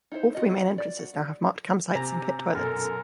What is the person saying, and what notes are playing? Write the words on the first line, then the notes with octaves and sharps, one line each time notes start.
All three main entrances now have marked campsites and pit toilets.
D#4 E4 F#4 C5
F4 F#4 D#5
D5
F#4
C3 G#5 A#5
F#2 B2 A4 A#4 A5